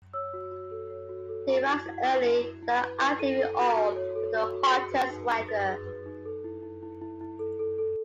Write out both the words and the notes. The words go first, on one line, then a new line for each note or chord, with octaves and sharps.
They rise early and are active in all but the hottest weather.
C#5 E6
F#4
F#4
A4
C#5
F#4
A4
F#4
A6
E4 G#6
E4
E4
E4
E4
E4
B4
E4
A4 D#7
A4
F#4
F#4
C#5
A4
F#4
F#4
G#4 C#7
B4
D#4
D#4
B4 A6
G#4
B4
D#4
A4
E4
E4
E4
E4
E4
A4
A4
A4